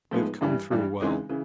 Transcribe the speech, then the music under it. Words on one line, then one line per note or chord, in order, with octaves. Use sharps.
We have come through well.
A2 F3 G#3 B3 D#4
G2 E3 G3
G2 E3 G3
C#3 E3 G#3 C4 D#4
C#3 E3